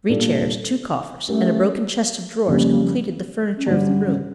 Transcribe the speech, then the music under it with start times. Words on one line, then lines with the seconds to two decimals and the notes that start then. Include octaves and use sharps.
Three chairs, two coffers, and a broken chest of drawers completed the furniture of the room.
0.09 A#2 G3 A#3 D4 A4
1.28 G3 A3 C#4 G4 A#4
2.47 F2 C#3 G3 A#3
3.57 C#4
3.66 G2 D3 G3 A#3 D4
3.86 C#4
4.06 C#4